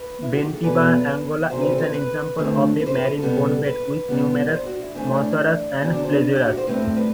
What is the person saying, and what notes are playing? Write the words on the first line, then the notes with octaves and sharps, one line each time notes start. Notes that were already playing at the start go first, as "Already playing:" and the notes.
Bentiaba, Angola, is an example of a marine bonebed with numerous mosasaurs and plesiosaurs.
Already playing: B4
E4
F#4
G4
A4
E2 B2 F#3 B3 B4
E2 C3 F#3 C4 C5
B4
A4
C5
B4
B4
D2 D3 A3 C4
B4
C5
B4
A4
B2 G3 B3
B4
B2 G3 B3
B4
C5
F#4
E4
A2 E3 A3 C4 D4
E2 D3 F#3 C4
D4
C5
B4
G4
F#4
C5
A2 G3 C4 B4
C5
B4